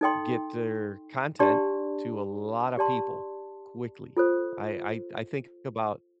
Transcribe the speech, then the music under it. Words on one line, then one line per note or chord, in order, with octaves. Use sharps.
get their content to a lotta people quickly. I I I think about,
D#4 A4 D#5 G5 C6
D4 G4 D5 A5 C6
G4 D5 A5 C6
F4 A4 C5